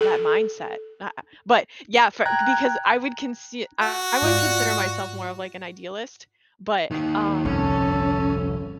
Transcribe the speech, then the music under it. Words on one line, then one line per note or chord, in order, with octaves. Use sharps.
that mindset, a ah, but yeah, for because I would consi I wouldn't consider myself more of like an idealist, but um,
A4
G5 A#5 F#6 G#6
F#4
G#2 F4 D5
D#2 D#3
G1 C2 F2 C#4 A4